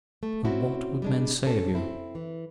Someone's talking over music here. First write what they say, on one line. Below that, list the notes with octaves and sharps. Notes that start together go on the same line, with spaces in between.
"And what would men say of you?"
A3
C4 C#4 E4 F#4
G3 G#3 D4
C4 C#4 A4
C4 E4
E3